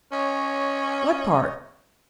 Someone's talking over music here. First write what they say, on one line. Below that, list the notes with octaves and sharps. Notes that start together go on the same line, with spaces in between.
"What part?"
C#4 C#5 D#5